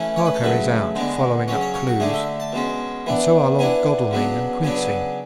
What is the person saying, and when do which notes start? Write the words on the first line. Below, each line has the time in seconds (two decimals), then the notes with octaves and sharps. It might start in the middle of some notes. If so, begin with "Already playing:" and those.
Harker is out, following up clues; and so are Lord Godalming and Quincey.
Already playing: E3 A3 C#4
0.16 C#5
0.25 B4
0.34 A4
0.42 C#3 F#3 A3 B4
0.95 D3 G#3 B3 D4
1.48 C#3 F#3 C#4 C#5
1.61 C#5
1.74 C#5
1.87 F#4
2.00 D3 A3 D4 G#4
2.14 E5
2.40 A5
2.53 B2 G#3 C#4
3.06 E3 B3 D4
3.59 E3 B3 D4 G#5
4.11 C#3 F#3 B3 D4
4.64 C#3 F#3 B3 D4 G#5